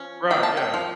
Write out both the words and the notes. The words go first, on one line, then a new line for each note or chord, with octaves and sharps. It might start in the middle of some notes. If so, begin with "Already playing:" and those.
Right, yeah.
Already playing: F3 C#4
A#3 G5
A5
G5
F3